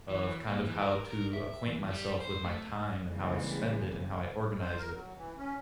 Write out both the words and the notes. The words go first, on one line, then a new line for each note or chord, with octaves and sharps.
of kind of how to acquaint myself with my time and how I spend it and how I organize it.
E3
A#3
E3
A#4
A#4
E5
E3
G3
C5
A3
C#3 E3 G3 G#3 A#3 C4
C5
A#4
F#3
E3
C#4